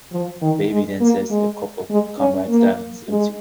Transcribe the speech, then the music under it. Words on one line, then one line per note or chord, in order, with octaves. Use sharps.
The baby then says to the couple Comrade Stalin salutes you!
F3
D#3
G#3
A#3
G#3
G#3
C#4
A#3
G#3